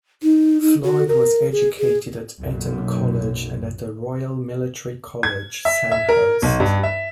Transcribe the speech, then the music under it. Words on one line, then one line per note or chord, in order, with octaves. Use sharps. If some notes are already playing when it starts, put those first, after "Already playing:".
Floyd was educated at Eton College and at the Royal Military College, Sandhurst.
D#4
D#4
F#4
A#4
G#4
G#4
B1 F#2 A#2
G#6
E5
E5
A#4
B1
G2
E5